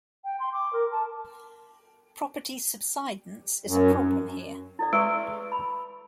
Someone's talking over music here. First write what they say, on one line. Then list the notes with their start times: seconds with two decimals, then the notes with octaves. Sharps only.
Property subsidence is a problem here.
0.24 G5
0.39 C6
0.52 D6
0.73 A#4
0.92 A5
3.67 F#2
4.79 E4 A4 D5
4.93 G#3 B4 C6 C#6
5.52 B5